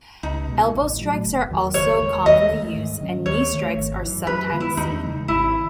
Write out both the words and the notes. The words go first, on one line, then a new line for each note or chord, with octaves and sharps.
Elbow strikes are also commonly used, and knee strikes are sometimes seen.
C#2 D#4
B2 G#3
A1
A2 F#3
F#1
E2 D#3 F#3
F#1 C#5
E2 D#3 G#3
D#2 D#5
D#3 A3
G#2
D#3 F#3 C#4
D#2 C#5
D#3 A3
G#1
F#2 E3
F#2 B4
D#3 G#3 B3
E4
E2 D#4
C#3 E3 G#3
G#1 E4